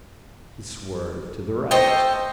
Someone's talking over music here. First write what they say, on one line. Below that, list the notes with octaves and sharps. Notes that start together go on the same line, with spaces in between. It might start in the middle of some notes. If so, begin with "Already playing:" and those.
He swerved to the right.
A3 C5 D#5 G5